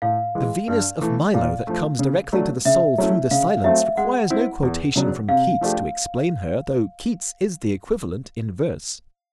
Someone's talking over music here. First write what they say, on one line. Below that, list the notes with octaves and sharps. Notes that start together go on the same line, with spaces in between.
The Venus of Milo, that comes directly to the soul through the silence, requires no quotation from Keats to explain her, though Keats is the equivalent in verse.
A2 F5
E3 G#3
G2
E3 A3
A#2 F5
F3 A3
C#3
F#3 A3 D4
C#3 E5
F#3 A3 C#4 E4
C#3 F5
F#3 A3 C4 E5
G#3 F#5
C4 E4
E2
C#3 F#3 B3 D4
C3 F5
F3 A3 D4 G4